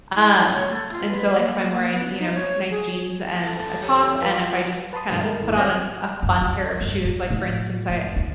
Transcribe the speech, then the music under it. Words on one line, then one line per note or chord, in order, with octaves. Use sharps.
um, and so, like, if I'm wearing, you know, nice jeans and a top, and if I just kinda put on an a fun pair of shoes, like for instance, I
E4
F#3
C#5
A3
F4
B4
A#3
A#3
B3
D#4
C#5
G#4
E2 A4
G4 C#5
F3 B4 F5
B4 A5 B5 C6 D#6
G2 B2 D#3 G3 A3
G#3 A3 A4 A#4
G#1 D#3 E3
C4 C#5 D5 F5 A#6
F#2
C#2
G2
A#2
A2
F2
D2